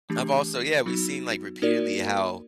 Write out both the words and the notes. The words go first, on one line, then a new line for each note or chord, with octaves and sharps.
I've also yeah, we've seen, like, repeatedly how
E3 A3 D4 G4
F#3 B3 D#4 F#4
A#3 D#4 F#4 A#4 D5